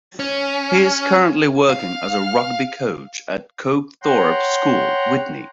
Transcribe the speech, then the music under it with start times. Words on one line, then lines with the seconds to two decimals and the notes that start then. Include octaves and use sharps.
He is currently working as a rugby coach at Cokethorpe School, Witney.
0.20 C#4
1.70 F5
4.03 C#5 F#5 G5 A#5 C6